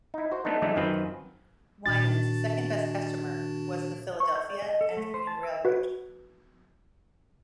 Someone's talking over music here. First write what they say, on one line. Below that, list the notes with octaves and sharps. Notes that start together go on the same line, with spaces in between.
Winans' second best customer was the Philadelphia and Reading Railroad.
D#4 E4
F#4 C5
A3 B3 D4 D#4
D3 E3 F#3 G#3 A3 D#4
F#2 D#3 C4 F4 B4
A#2 D#3 D4 F#4 A6
C#6
G6
D5
D#5
A4
A3
C5
A5
E6
F#4 B4